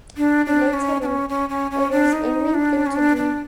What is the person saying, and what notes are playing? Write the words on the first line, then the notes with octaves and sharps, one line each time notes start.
He later wrote: It was a mean thing to do.
D4
D4
C#4
D4
C#4
C#4
C#4
C#4
D4
D#4
D4
C#4
D4
D4